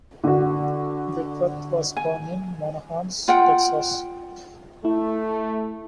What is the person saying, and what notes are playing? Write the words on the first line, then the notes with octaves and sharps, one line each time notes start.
Whitworth was born in Monahans, Texas.
D3 F#4
G#5
F4 F#5 G5
A3 E4